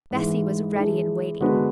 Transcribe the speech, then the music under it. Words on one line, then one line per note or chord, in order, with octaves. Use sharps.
Bessy was ready and waiting.
G#2 E3 G#3
E3 G#3 D4 G#4
D3 G#3 B3 F#4 B4